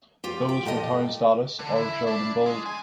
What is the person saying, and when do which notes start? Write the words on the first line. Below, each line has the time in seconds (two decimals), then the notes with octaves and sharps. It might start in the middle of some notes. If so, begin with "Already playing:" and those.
Those with town status are shown in bold.
0.24 F4 G4
0.49 G5
0.65 A#2 G4 A4 D#5
1.59 D3
1.76 E4
2.07 D4
2.46 G#3
2.66 G#5